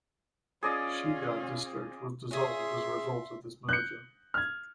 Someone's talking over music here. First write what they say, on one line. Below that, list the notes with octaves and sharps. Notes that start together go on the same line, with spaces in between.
Shiga District was dissolved as a result of this merger.
C#4 F4 G#4 D5 D#5
C#4 G#4 E5 C6
F#6 G6 C#7
F6 G#6